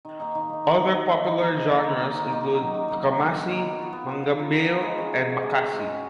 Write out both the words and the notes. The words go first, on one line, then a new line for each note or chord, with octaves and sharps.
Other popular genres include tchamassi, mangambeu and makassi.
D#3
A#3 D#4
D#3
A#3 D#4
D#3
A#3 D#4
D#3
A#3 D#4
D#3
A#3 D#4
D#3
A#3 D#4
D#3
A#3 D#4
D#3
A#3 D#4
D#3
F#3 A#3
D#3
F#3 A#3
D#3
F#3 A#3
D#3
F#3 A#3
B3
F4 A#4
B3
F4 A#4
B3
F4 A#4
B3
F4 A#4
G#3
C#4 F#4
G#3
C#4 F#4
G#3
C#4 F#4
G#3
C#4 F#4